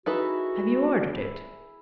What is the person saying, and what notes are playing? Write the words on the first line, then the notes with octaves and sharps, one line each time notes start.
Have you ordered it?'
D#4 E4 F#4 G#4 A4 B4 E5